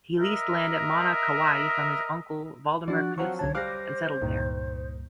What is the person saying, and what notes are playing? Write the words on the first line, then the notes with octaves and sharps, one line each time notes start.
He leased land at Mana, Kauai from his uncle, Valdemar Knudsen, and settled there.
A#4 D#5 E5
F3 D4 F#4 D5
F3 F#3 C4 F#5 C#6
C2 D3 C#5 A5
G3 C5 F5 D6 F#6 A#6
C#2 G2 A#2 D#3